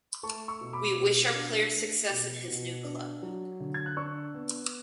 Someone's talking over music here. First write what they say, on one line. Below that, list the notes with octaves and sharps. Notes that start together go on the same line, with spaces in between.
We wish our player success in his new club.
A3 A5 C#6
C#6 E6
B2
B5 D6
B2
D4
A3
B2
B2
D4
F#3
D3
G#6
F#6
D4 C#6 E6
B3